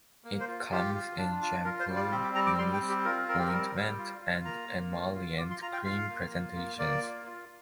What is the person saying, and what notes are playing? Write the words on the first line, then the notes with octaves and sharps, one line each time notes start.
It comes in shampoo, mousse, ointment and emollient cream presentations.
A#3
C5
F4
F4 G4
F4
D4
F4
F4 A#4
C5
G3
D5
C4 G4
G4
G3 A#5
D6
G3 C6
G5
C4
G4
F4 A#4
C4 A#4
G4
G3 A#4
G3
F4
F4
A#3 A#5
A#3
F4
F4
F4 D6
C6
F4 A#5
G5
F4 F5
A#3
F4
A#3
A#3 D5
F4
F4